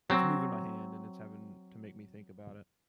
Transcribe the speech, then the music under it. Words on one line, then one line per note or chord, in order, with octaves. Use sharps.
it's moving my hand, and it's having to make me think about it.
F#3 C4